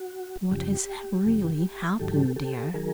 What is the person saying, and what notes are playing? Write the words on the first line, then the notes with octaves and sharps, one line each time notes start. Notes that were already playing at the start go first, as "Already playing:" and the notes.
What has really happened, dear?
Already playing: F#4
F#2 C#3 F3 G4
F#2 C#3 F3
G#2 D#3 F#3 G4 A4
G4 A4
D#3 F#3 G#4 A#4